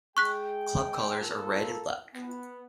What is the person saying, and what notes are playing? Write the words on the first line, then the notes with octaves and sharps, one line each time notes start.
Club colours are red and black.
G#3 G#4 G5 C#6 F#6 B6
A#3 F4 A4
B3